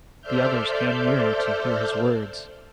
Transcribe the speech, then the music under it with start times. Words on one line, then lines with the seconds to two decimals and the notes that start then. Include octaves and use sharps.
The others came nearer to hear his words.
0.20 A4 C5 D5 E5 F6 G6